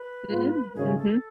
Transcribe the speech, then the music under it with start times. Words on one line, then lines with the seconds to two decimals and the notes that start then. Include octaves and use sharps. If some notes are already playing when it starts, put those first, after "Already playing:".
Mm, mhm.
Already playing: B4
0.30 G#2 G#3 B3 F4
0.75 G#1 F#2 C#3 G#3 C#4 G#4
0.98 A4